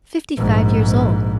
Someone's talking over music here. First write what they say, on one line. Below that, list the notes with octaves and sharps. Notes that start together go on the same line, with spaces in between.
"Fifty-five years old."
A#1 G#2